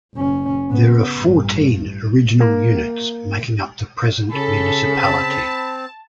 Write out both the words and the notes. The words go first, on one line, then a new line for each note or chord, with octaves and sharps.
There are fourteen original units making up the present municipality.
F#1 C#4
C#3 B3
A1 G2
A#3
C#3 A4 B5
C4 A5